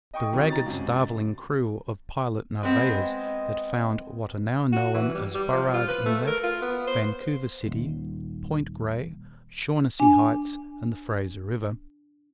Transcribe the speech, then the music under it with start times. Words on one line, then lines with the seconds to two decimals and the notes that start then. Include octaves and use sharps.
The ragged starveling crew of Pilot Narvaez had found what are now known as Burrard Inlet, Vancouver City, Point Grey, Shaughnessy Heights, and the Fraser River.
0.13 D#5 G5 C#6 D#6
0.33 C3 D#3 F#3
0.50 A#5 A6
0.66 C#2 F#2 C3
2.63 G#3 B3 C4 D#5
4.72 F#4
4.94 E3
5.14 G3
5.35 G3
5.53 F3
5.74 F4
5.88 B4
6.06 A3
6.27 A#4
6.43 F4
6.62 B3
6.87 C5
7.66 D#1
10.00 D4 G#5